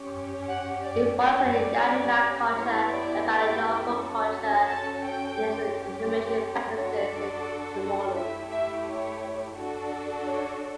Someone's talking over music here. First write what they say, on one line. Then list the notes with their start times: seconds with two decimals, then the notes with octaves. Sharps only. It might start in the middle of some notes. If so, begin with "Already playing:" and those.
It follows the Yamna culture and Balanovo culture in its inhumation practices in tumuli.
Already playing: C#4 G4
0.48 F#5
0.83 D5
1.18 C#4 G4 C#5
1.53 D5
1.88 D5
2.57 B3 E4 G4 C#5
2.92 D5
3.28 G5
3.97 C#4 F#4 A4
4.68 A5
5.01 G5
5.37 C#4 G4
6.76 D4 F#4 A4 C#5
7.12 D5
8.16 A3 E4 G4 E5
8.51 E5
8.86 C#5
9.56 D4 F#4 A4
10.25 C#5